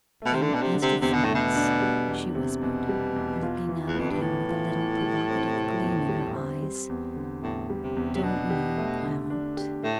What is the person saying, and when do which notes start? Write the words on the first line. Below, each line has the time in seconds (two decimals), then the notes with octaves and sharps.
And as to friends," she whispered, looking up at him with a little provocative gleam in her eyes, "don't you count?
0.22 B2 A3
0.34 C3
0.42 D3
0.48 D4
0.54 B2
0.62 C3
0.75 D3
0.82 C3
1.02 E2 C3
1.13 B2
1.24 A2 A3
1.35 B2
1.56 D4
1.82 G3
2.08 E2
2.35 C3
2.61 E2 B2
2.89 G3
3.16 E2
3.43 F4
3.69 E3
3.87 E2
3.95 F2 B3
4.11 G2
4.22 A2 E3
4.50 F4
4.76 E3
5.02 G3
5.30 C4
5.55 C3
5.82 E2
6.09 G3
6.35 C4
6.62 G3
6.89 E2
7.16 D3
7.43 E2 A2
7.70 G3
7.83 C3
7.97 E2
8.15 C3
8.23 B2 D4
8.50 G4
8.77 A3
9.03 D3
9.30 D4
9.57 G4
9.83 A2 A3